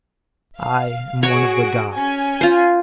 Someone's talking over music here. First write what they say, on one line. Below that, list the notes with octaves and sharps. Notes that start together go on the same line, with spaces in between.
I am one of the gods.
F5
F#4 G#4 C#5 D7
C#4 G#5
F4 C5